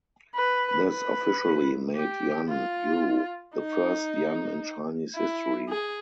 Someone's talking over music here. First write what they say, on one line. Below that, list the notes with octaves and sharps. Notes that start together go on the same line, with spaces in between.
This officially made Yan You the first Yan in Chinese history.
B4
B4
G4
F4
D#4
E4
G#4